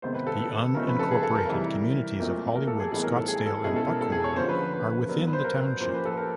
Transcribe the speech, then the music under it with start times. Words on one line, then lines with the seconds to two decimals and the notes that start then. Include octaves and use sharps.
The unincorporated communities of Hollywood, Scottdale, and Buckhorn are within the township.
0.02 C3 D#3 G#3 B3 C5
0.14 B4
0.27 A4
0.39 A4
0.75 C#3 F3 A3 C4 D#4 A#4
0.87 B4
0.99 A4
1.11 G#4
1.23 A4
1.35 A#4
1.47 C3 E3 G3
2.19 A#2 F#3 A3 C4 A#4
2.56 A#4
2.67 A4
2.80 G#4
2.92 A2 E3 G3 B3 D#4 G#4
3.03 A#4
3.16 A4
3.28 G#4
3.46 A4
3.64 B2 G#3 C#4 E4 G#4
3.76 A4
3.88 A#4
4.01 A4
4.12 G#4
4.24 C#5
4.36 D3 F3 A#3 C#4 C5
4.49 B4
4.73 B4
5.09 F#3 B3 D4 A#4
5.27 B4
5.33 C5
5.44 A#4
5.81 A#2 F3 A#3 C#4 C5
5.94 B4
6.05 A4
6.17 A#4